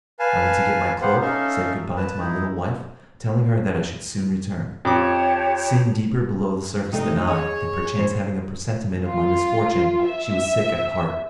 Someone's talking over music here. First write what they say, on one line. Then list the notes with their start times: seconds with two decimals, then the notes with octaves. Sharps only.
I went to get my cloak, said good-bye to my little wife, telling her that I should soon return. Seeing deeper below the surface than I, and perchance having a presentiment of my misfortune, she was sick at heart.
0.19 B4 F5 G#5 A5
1.01 B3 G4 B4 C5 F5 F#5
1.21 C#4 D#4 A4 E5 F5
1.96 B4 A5
2.19 D#4 E4
4.85 F2 G4 C#5 A5 D6
6.92 C3 A3 D4 D#4
7.28 G#4 C#5 D#5
7.99 C5
9.08 F4
10.05 E5